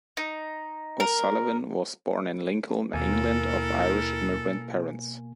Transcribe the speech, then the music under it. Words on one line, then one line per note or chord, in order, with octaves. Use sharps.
O'Sullivan was born in Lincoln, England of Irish immigrant parents.
D#4
A#4
D#2 B2 A#3 E4 A4 A#4 G#5